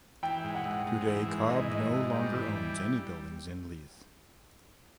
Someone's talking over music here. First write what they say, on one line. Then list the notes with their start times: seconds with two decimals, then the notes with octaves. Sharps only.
Today, Cobb no longer owns any buildings in Leith.
0.23 E3 G5
0.44 G#2
0.55 F#5
0.65 G#2
0.86 G#2
1.08 E3
1.28 G#2
1.50 E3 D#5
1.71 G#2
1.92 G#2
2.14 G3
2.34 E3
2.56 G3